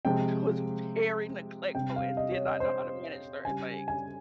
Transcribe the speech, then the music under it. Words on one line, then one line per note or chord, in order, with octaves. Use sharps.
was very neglectful and did not know how to manage certain things.
C3 F3 G#3 G5
C3 G3 G5
F5
D#5
C#5
D#5
C5
C#3 G3 G#5
G#5